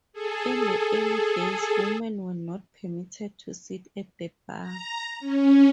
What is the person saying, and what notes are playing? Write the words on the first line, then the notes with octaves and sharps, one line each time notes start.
In the early days women were not permitted to sit at the bar.
G#4 A4
A#5
C#4